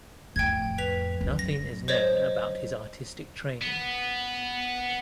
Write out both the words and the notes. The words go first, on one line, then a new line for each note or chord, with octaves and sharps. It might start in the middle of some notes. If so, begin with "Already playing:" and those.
Nothing is known about his artistic training.
F2 A2 G5 G#6
B4 B6 F7
F#2 F#3
A#6
C5 C#5 D#5
B3